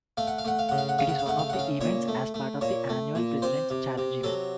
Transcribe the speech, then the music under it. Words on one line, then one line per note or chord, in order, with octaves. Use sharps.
It is one of the events as part of the annual President's Challenge event.
A3 F5
F#5
F5
A3 F#5
F5
C#3 F#5
F5
F#5
C#3 F5
F#5
F5
A3 F#5
F5
C#3 F#5
F5
A#2 C#5
A3
A3
A#2 C#5
A3
A#2
C3 C5
C3
C3
F#3 A4